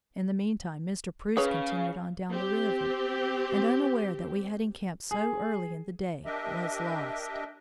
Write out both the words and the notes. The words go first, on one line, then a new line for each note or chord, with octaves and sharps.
In the meantime Mr. Preuss continued on down the river, and unaware that we had encamped so early in the day, was lost.
C#3 G#4 B4 C#5
C4 G4
G#4
D4 G4 A#4 D#5 E5